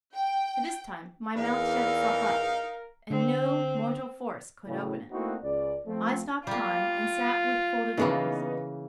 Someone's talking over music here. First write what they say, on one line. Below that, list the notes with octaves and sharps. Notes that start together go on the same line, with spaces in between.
This time my mouth shut itself up, and no mortal force could open it. I stopped crying, and sat with folded arms.
G5
E2 D#4 A#4 F5
D3 C4
A2 C#3 E3 F#3
A3 A#3 C4 D#4 E4 F#4
C#2 D5
F3 A3 C4
G3 A#3 F4
C#3 E3 A#3 B3 D#4